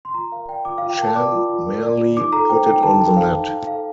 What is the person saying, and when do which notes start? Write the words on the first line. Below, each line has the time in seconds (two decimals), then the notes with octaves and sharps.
Chan merely put it on the net.
0.05 C6
0.14 F4 A#5
0.32 A#4 F5
0.48 D5 G5
0.65 F4 D6
0.78 F4 F5
0.90 G5
0.98 A#4 A5
1.15 D5 D6
1.32 F4
1.49 F4
1.67 A#4
1.83 D5
1.99 F4
2.17 D#4 D6
2.32 A4 A#5
2.49 C5 G5
2.66 D#4 G5
2.83 D#4 A5
3.00 A4 G5
3.16 C5 F5
3.34 D#4
3.50 D#4 F5
3.67 A4 F5